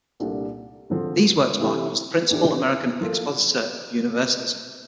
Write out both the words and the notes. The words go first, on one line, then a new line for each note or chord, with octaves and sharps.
These works mark him as the principal American expositor of Universalism.
C2 A#2 A3 D4 G4
E2 D3 F3 C4
C3 E3 A3 E4 G4
E2 E3 A3 D4 G4
F3 A#3 F4 A4